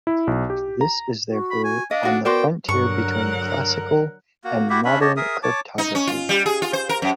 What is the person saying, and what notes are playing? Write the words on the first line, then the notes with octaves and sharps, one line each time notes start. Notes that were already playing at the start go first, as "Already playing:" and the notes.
This is therefore on the frontier between classical and modern cryptography.
E4
B1
G4
A#5
F#4
B5
G#5
D4 D#5 F5
D#4 F#4
B3 F#4 A#4 C5 D5 G5 C6
G2 D3 F#3 A#4 F#5 C#6
A#3 F#4
E4 F#4 G4 E5
C#4 D4 E5 B5
G4 C#5 D#5 A5
G#4 A#4 E5 D#6
C#5 A5 D6
D#4
C#4
F4
G3
G#4
F4
C5
A#4
F#2